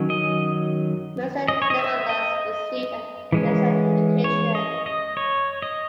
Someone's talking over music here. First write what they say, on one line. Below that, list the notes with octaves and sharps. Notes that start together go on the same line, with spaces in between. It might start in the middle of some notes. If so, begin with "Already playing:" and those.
Mercier nevertheless received a decent education.
Already playing: D#3 F#3 C#4
D#5
D#5
C#5
D#5
E5
D#5
E3 G#3 C#4
C#5
D#5
D#5
C#5
D#5